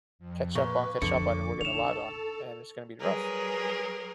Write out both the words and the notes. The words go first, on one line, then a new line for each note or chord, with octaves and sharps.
catch up on, catch up on, and we're gonna log on, and it's gonna be rough.
F2
A#2 B4 C#6
F2 D3 D6 C#7
D#4 A4 E7 F7
F#3 G3 G#4 A#4 B4